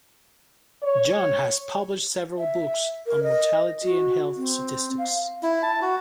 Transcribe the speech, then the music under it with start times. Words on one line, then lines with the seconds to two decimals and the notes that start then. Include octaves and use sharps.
John has published several books on mortality and health statistics.
0.83 C#5
2.38 E5
3.07 A#4
3.24 D#5
3.83 F#4
4.37 C4
4.98 F5
5.43 E4
5.63 A5
5.82 F#4